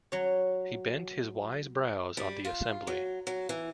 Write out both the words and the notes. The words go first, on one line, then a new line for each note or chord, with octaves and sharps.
He bent his wise brows on the assembly.
F#3 C#5
G3
F4
F#3
F#3
E3